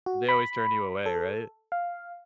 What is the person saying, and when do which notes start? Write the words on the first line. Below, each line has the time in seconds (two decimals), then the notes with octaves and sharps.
They always turn you away, right?
0.06 F#4
0.29 B5
1.06 A4
1.72 F5